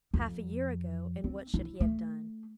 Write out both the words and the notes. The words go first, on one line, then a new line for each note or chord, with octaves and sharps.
Half a year ago, and what should he have done?
F2
C4
E4
A3